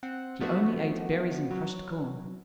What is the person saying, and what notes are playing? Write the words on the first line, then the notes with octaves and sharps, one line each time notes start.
She only ate berries and crushed corn.
C4 F#5
F3 A3 B3 D4 F#4
F#3